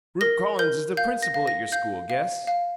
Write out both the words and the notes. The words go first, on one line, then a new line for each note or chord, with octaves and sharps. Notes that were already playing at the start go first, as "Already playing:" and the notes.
"Rupe Collins is the principal at your school, guess."
A#4 A#6
A#4 G6
F5 G6
A#6
F5
A#6
F5 G6
F5
F5